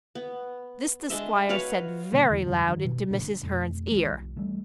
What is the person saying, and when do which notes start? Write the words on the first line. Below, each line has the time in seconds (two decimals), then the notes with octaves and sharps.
This the squire said very loud into Mrs. Hearn's ear.
0.15 B3
1.10 G#3 D4 D#5 E5
1.49 F#4 B4 C#5 F5
2.13 A#2 D3 G3 A#3
2.30 E2 G#2 D3 E3
2.46 F2 D3 F#3 G3
2.67 G2 D#3
2.85 B2
3.10 G2 A#2 D3
3.43 F2 B2 A3
3.91 G#1 D2 E3 G#3
4.11 B1
4.36 E3 G3 A3 D4